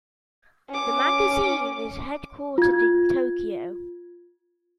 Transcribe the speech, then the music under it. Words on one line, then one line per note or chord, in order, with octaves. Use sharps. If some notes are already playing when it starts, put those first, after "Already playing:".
The magazine is headquartered in Tokyo.
C#4 D6
F4 G#6